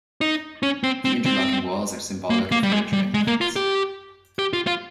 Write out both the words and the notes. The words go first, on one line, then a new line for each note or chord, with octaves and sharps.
The interlocking walls are symbolic of nurturing hands.
D#4
C#4
C4
C4
C4
A#3
A#3
G3
G#3
G3
G#3
A#3
F4
G4
G4
F4
F4